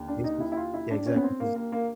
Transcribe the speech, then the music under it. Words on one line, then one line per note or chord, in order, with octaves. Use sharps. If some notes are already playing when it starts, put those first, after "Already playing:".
this is Yeah, exactly, 'cause
Already playing: D#2 D3
D4
D#4
E4
E4
F4
E4
D4
C#4
B3
C4
A#3
A#3
A#3